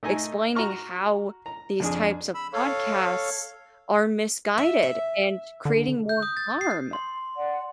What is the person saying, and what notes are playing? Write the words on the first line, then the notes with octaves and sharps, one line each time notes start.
explaining how these types of podcasts are misguided and creating more harm.
A3 D#4 D#5 G#5
F#4 A#5 C#6 F6
A#5
F2 D4 G#4
B5 E6
A4 C#5 F5
E5
E5
D3
G6
D#6
A6
C7
C6
D5 F#5